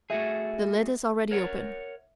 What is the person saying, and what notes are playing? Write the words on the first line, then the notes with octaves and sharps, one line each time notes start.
The lid is already open.
A3 F#4 G#4 E5 G#6 A6
A#4 C#5 F#5